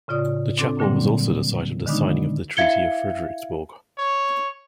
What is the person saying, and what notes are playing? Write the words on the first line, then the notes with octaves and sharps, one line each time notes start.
The Chapel was also the site of the signing of the Treaty of Frederiksborg.
A2 C#3 F4 D5 D#6
C4 D4 A4 C6
A#2 D3 F#3 G3 A#3 C4
D3 D#3 G#3 B3 D4 D#4
E4 E5 F5 G#6 C#7 G7
C#5